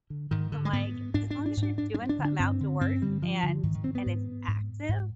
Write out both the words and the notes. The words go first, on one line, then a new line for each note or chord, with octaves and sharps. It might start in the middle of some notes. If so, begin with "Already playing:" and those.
So I'm like, as long as you're doing something outdoors and and it's active,
D3
G#2 D#3
D3
G#3
G#2 B3
G#2 D4
D4
D4
G#2
D4
D4
D4
G2
D4
D3
D4
G2 C4
D3
G2 C4
D3 G3
G2 F3
D3
G#2 D#3
D#3
C4
B3
G#2
G#2
G#2